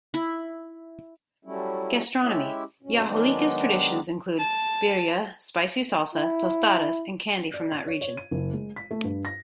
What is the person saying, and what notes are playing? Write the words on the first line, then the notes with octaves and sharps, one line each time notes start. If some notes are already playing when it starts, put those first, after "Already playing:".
Gastronomy: Yahualica's traditions include "birria", spicy salsa, "tostadas", and candy from that region.
E4
F#3 G3 A3 C#4 E4
G#3 C#4 E4 G4 E5
G2 B2 C#4
D#3 F#3 G#3 B3 D4 D#4
A5
E4
D5
G#6
C#5
C#5
D#7
F#1
G#3
B6
A3
G2
A#6